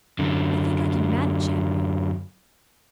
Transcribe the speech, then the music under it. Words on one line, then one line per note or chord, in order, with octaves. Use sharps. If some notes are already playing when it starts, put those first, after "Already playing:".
I think I can manage Henry.
F#2 D3